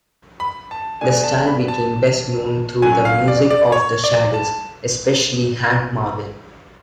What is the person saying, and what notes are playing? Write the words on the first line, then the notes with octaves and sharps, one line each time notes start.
The style became best known through the music of the Shadows, especially Hank Marvin.
B5
A5
B2 A3 D4 G#5
A5
B5
A5
D3 F#3 C#4 G#5
F5
D5
D5
C#5
D5
A5